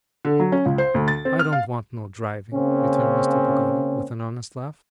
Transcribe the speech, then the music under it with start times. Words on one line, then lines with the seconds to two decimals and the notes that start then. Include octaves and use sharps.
I don't want no driving,' returned Mr. Peggotty with an honest laugh.
0.25 D3
0.40 F#3
0.52 C#4
0.66 C#2
0.78 C5
0.94 D2
1.08 A6
1.25 C4
1.39 F6
1.53 F5
2.53 C#3 A#3 C4 C#4